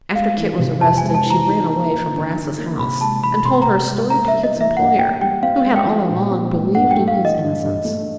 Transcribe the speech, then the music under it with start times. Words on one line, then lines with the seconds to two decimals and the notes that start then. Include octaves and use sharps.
After Kit was arrested she ran away from Brass's house and told her story to Kit's employer, who had all along believed in his innocence.
0.16 G#3 F5
0.37 E3
0.59 C3
0.81 F2 A5
0.98 G#5
1.03 G#3
1.15 A5
1.26 E3 A#5
1.48 D#4
1.69 A#3
1.91 F3
2.13 D3
2.35 D#4
2.58 A#3
2.79 C3 B5
3.01 G#3 A5
3.23 E3 B5
3.45 C3 C6
3.62 A#5
3.67 C3
3.89 G#3
4.10 A#3 A#5
4.28 E5
4.33 G3
4.43 D#5
4.55 E3
4.61 E5
4.77 G2 F#5
4.98 A#3 G5
5.21 G3 G5
5.42 C4 F5
5.65 G#3
5.76 G5
5.86 F3
6.09 A#2
6.31 C4
6.53 G#3
6.75 G2 F#5
6.91 G5
6.96 A3
7.08 F5
7.18 E3
7.25 D#5
7.41 G2
7.62 G2
7.85 A3